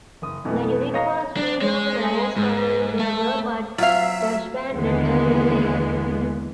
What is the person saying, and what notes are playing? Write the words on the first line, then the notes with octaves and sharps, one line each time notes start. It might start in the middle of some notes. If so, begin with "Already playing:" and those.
The unit was reorganized following the war, but disbanded a year later.
F#1 D#6
F2 B2 E3 F#3 A3 B3
C#5 D#5 F5 A#5 D#6 A#6
D4
G#3
G#2
A3
F#3 C4 F4 E5 F5
D#2 D3 E3 G#3 A#3 B3